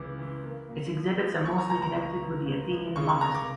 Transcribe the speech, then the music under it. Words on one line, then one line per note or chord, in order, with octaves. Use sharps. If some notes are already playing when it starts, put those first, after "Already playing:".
Its exhibits are mostly connected with the Athenian democracy.
Already playing: C#2 C#3 E3 D6
E3
A#3
A#2
F3
F3
A#3 C#6
A#5
C#2 A#5
A#5
C#2
C#2
C#2
C#2
C#3 C#6
C#6
C#3 A#5
D6